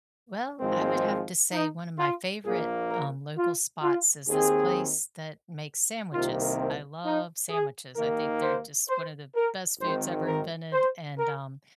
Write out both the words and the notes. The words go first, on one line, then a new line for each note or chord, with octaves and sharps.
Well, I would have to say one of my favorite, um, local spots is this place that makes sandwiches. I love sandwiches, I think they're just one of the best foods ever invented, and, um,
G#1 G#2 F3 G#3 C4
D#4
F4
A#1 A#2 A#3 G#4
A#4
F4
F4
D#2 D#3 C4 G#4
C2 C3 D#3 A#3 F4
C4
D#4
G#4
D#2 D#3 A#3 A#4
C5
C5
A#4
G#1 G#2 D#3 C4 C5
A#4
C5
A#4